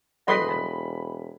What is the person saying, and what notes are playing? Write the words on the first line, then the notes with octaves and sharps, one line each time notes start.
they know.
E1 A4 B4 D#5 B5 C6 B6